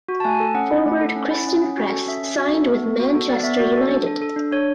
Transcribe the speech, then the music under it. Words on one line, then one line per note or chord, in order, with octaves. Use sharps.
Forward Christen Press signed with Manchester United.
F#4
A5
A3 G#5
A4
C#4 F#5
E4
A3
A4
C#4
E4
C#4
C#4
F#4
A4
C#4 E5
C#4
F#4
A4
B3
B3
F#4
A4
B3 D5
B3 E5
F#4 D5
A4
D4
A4
A4
D4
D4 C#5